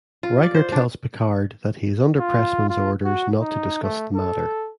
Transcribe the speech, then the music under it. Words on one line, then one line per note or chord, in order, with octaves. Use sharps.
Riker tells Picard that he is under Pressman's orders not to discuss the matter.
F4
D5
C5
D4
F4
F4
F#4
D#4
A3
A4